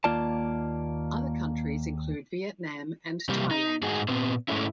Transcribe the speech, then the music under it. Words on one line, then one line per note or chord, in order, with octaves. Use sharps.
Other countries include Vietnam and Thailand.
D#2 A#3 F4 D5 A5
C3 G3 A#3 G4
D#4
G#2 D#4 F#4 G#4
A#2 B3 C4
G#2 G#3 A3 C#4 E4